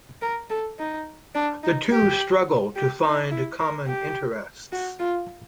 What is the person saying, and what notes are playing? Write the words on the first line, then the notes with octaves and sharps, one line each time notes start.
The two struggle to find common interests.
A#4
A4
D#4
D4
D#4
G4
G4
D#4
E4
A#4
G4
F#4
F4